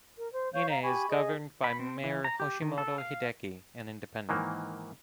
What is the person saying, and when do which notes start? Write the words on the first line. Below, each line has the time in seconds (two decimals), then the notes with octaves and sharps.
Ine is governed by mayor Yoshimoto Hideki, an independent.
0.17 A#4
0.33 C5
0.54 C#5 F5 C#6 G6
0.69 F5 A#5
0.83 G4 G#5 B5 C#6
1.09 G#4 D#5
1.64 B5
1.79 C4
2.04 E3
2.24 A#5
2.40 G4
2.62 D#3
2.78 A4
2.98 F5
4.29 G#2 D#3 E3 A#3